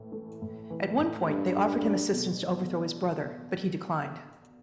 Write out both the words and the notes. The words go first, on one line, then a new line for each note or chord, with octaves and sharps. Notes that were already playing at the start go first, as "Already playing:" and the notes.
At one point, they offered him assistance to overthrow his brother, but he declined.
Already playing: A2 E3
A3
A2
E3
A2
G2 A3
A4
D4
B2